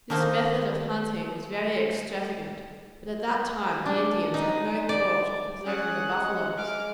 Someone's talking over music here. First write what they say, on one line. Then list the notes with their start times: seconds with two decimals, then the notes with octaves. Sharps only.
This method of hunting was very extravagant, but at that time the Indians had no thought of preserving the buffaloes.
0.10 D#3 A3 A#3 D#4 C5
3.86 D4
4.34 D#4
4.89 D5
5.66 C#4 G#4 F#5 G#5
6.14 G#3
6.58 D6 F6